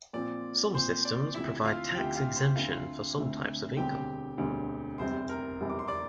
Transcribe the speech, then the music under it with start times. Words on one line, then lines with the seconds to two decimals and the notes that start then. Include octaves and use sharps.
Some systems provide tax exemption for some types of income.
0.13 A#2 F3 C4 D5
0.74 A#2 F3 C4 C5
1.05 D5
1.34 D2 C3 F3 E4 E5
1.65 F4 F5
1.95 D2 C3 F3 G4 G5
2.16 F4 F5
2.36 C5
2.56 D2 D3 A3 C4 F4 F5
3.17 D2 D3 A3 C4
3.77 E1 D2 D3 G3 C4 G4 G5
4.38 E1 D2 D3 G3 C4
4.98 F1 E2 C3 G3 C4 C5 C6
5.29 A#4 A#5
5.60 F1 E2 C3 G3 C4
5.70 D6
5.79 C6
5.88 D5 D6